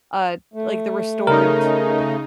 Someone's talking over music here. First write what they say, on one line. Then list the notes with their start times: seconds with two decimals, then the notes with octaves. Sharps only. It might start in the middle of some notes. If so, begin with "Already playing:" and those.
uh, like, the restored,
0.54 A3
1.27 C#3 D#4 A#4